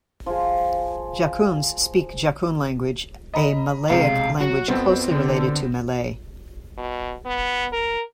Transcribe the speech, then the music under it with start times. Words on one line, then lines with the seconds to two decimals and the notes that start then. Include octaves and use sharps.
Jakuns speak Jakun language, a Malayic language closely related to Malay.
0.26 F3 G#4
3.34 D#5 A#5 B5
3.90 B1 C3 G#3 F5
4.40 F#3 F#4
4.68 B1 F2 B3 C4
5.11 D3
6.77 B2
7.26 B3
7.72 A#4